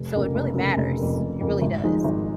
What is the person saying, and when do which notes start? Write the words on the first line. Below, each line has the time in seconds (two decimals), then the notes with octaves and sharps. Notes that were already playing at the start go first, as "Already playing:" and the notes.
So, it really matters. It really does.
Already playing: F1
0.14 F2 C#3 A#3
0.35 F1
0.56 F2 C#3 A#3
0.77 F1
0.98 F2 C#3 A#3
1.19 F1
1.41 F2 C#3 A#3
1.62 G#1
1.83 G#2 F3 G#3 D#4
2.04 G#1